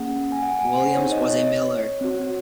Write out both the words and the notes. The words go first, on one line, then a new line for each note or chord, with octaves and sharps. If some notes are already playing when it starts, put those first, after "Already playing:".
Williams was a miller.
Already playing: A#3 C#4 G#4 F#5
G#5
F#5
G#5
F#5
C5
C4 D#4 G#4 C#5
D#5
C#5
C4 F#4